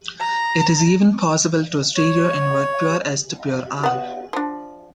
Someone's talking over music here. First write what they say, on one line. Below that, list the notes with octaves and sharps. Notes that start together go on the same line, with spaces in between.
It is even possible to stereoinvert pure S to pure R.
A#5
C#5
B3 F#5
F3 D4